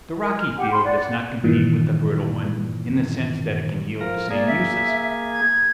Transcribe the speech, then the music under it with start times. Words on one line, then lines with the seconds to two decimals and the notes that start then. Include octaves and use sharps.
The rocky field does not compete with the fertile one in the sense that it can yield the same uses.
0.21 A#4
0.39 F6
0.57 G4 F#5
0.70 B5 C6
0.84 D5 F#5
1.44 G2 A#2 D#3 E3
4.01 F3 A#4
4.31 A#3 G#4 D5
4.47 E5
5.32 G#6